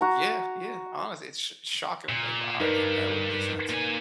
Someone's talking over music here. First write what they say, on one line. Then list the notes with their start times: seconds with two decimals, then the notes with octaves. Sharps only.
Yeah, yeah, honestly, it's sh shocking. I'm like, "Wow, like, that would make sense."
0.01 F#4 A#5
2.09 A#2
2.60 G2 G3 D#4 A#4 B4
3.69 A#2 G#5